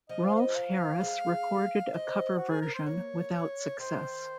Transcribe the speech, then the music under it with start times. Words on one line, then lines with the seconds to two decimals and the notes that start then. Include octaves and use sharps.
Rolf Harris recorded a cover version without success.
0.09 F3 D#5
0.25 F5
0.35 F5
0.40 D#5
0.55 F5
1.01 G#3
1.94 C4 D#5
2.37 F#4
2.50 G#4
2.62 A#4
2.74 C5
2.86 A#3 C#5
3.79 D#3 C5